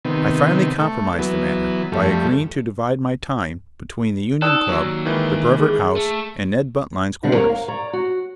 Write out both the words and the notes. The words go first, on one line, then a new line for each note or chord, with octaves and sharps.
I finally compromised the matter by agreeing to divide my time between the Union Club, the Brevoort House, and Ned Buntline's quarters.
C3 D#3 B3
A3
E3 F#3 B3
F2 G3 A3
D#4 A4 D5 G5 D#6 E6 F#6
D#2 F#3
D#3 E3 G#3
G#4
A3
B2 D3 G3 C4 D4
A#3 A#4 C#5 A#5
F5
C#5 D5 A#5
F#4